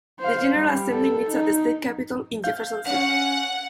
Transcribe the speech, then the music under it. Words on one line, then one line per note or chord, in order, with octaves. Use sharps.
The General Assembly meets at the State Capitol in Jefferson City.
C5 F5
G3
A4
D#4
F5 G6
C#4 F#5